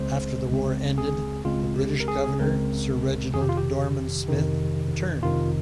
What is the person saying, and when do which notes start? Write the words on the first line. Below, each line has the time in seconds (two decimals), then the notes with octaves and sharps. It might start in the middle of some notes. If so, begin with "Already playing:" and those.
After the war ended, the British Governor, Sir Reginald Dorman-Smith returned.
Already playing: C#2 C#3 G#3 C4 C5
0.50 C#2 C#3 G#3 C4
0.98 G#4
1.45 C#2 C#3 G#3 C4 F4
1.76 G4
2.00 A#4
2.08 G#4
2.40 C#2 C#3 G#3 C4 A#4
3.33 F2 C3 D#3 G#4
3.41 G4
3.49 F4
3.57 G4
4.28 F2 C3 D#3
5.23 F2 C3 D#3 F4